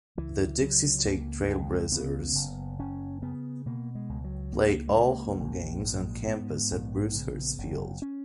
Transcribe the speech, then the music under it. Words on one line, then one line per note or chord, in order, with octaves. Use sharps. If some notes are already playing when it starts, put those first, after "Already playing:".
The Dixie State Trailblazers play all home games on campus at Bruce Hurst Field.
C#2 E3
C#3 F#3
C#2 A#3
A#3
C#2 G#3
C#3 B3
F#1
F#1 C#4
C#3 B3
B2 A#3
G#3
C#2
F#3
C#2 A#3
G#3
C#2 A#3
A#1
G#2
A#3
G#2 B3
A#1
C#3
F#1
C#4